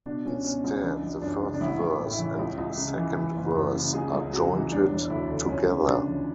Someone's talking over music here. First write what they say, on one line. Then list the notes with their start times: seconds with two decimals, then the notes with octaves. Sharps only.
Instead, the first verse and second verse are jointed together.
0.06 B2 D4
0.25 C#2 C#4
0.44 B2 C#4
0.64 C#2 C#4
0.83 E3 D4
1.03 G#1
1.22 F#2 D4
1.42 C#3
1.54 D4
1.61 A1 E4
1.80 A1
1.87 E4
2.00 A2
2.12 E4
2.19 E3
2.39 C#2
2.58 C#2
2.77 C#3
2.97 E3
3.17 E3
3.36 F#1
3.55 F#2
3.75 C#3
3.93 C#2 G#4
4.13 C#2
4.33 C#3 F#4
4.52 E3
4.72 E1 D4
4.91 E1
5.10 D2 E4
5.30 D3
5.48 C#2 C#4
5.69 C#2
5.87 C#3 D4
6.08 E3